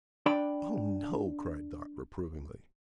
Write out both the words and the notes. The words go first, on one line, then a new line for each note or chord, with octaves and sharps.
"Oh, no," cried Dot reprovingly.
D4 D5 G5 B5